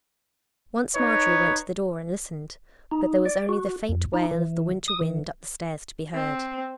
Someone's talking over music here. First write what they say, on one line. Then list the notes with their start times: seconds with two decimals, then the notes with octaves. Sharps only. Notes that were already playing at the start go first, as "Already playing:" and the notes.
Once Marjorie went to the door and listened, but there was only the faint wail of the winter wind up the stairs to be heard.
0.95 D#4 B4 C#5
2.92 D#4
3.26 D5
3.49 F#4
3.89 F2
4.14 D#4
4.31 E3
4.88 D#6
5.01 E3
6.14 C4